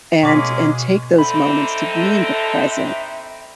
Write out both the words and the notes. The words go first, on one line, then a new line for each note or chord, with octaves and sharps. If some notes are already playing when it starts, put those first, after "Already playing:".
and and take those moments to be in the present,
B2 G#3 A#3 C#4 C#6 D6 B6
D3 C4 D#4 A4 E5 B5